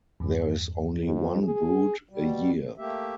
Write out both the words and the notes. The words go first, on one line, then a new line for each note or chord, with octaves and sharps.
There is only one brood a year.
E2 G2
F2
G#4
B2 G3
A3 A#3 G4 E5